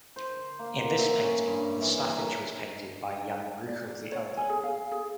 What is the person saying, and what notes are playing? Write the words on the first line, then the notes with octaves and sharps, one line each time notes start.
In this painting the staffage was painted by Jan Brueghel the Elder.
C5
A#3
F#5
E5
C#4
G2
E3
A#4
D5
C#5
G#5
G#4
F5
G#4